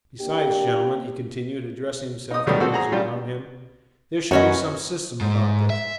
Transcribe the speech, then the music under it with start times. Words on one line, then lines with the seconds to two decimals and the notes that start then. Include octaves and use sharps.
Besides, gentlemen!" he continued, addressing himself to those around him, "there should be some system about this.
0.21 A#3 D4 G4
2.31 D#4 D#6
2.46 C#2 D3 D#3 G3 A3 B3
2.60 C4 F#4 A4
2.72 F#4 G#4 F#5 A#5
2.92 C#3 G3 D4 F4 G4
4.31 F#2 B3 C#4 F#4 C#5 D#5
5.21 G#2
5.70 E5